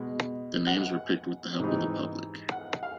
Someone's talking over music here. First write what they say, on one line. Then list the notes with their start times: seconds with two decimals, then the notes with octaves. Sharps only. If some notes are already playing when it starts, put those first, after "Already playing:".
The names were picked with the help of the public.
Already playing: B2 G#3
0.67 F#5
1.59 G#2 E3 G3 C4 D#4
2.52 F#5
2.83 F5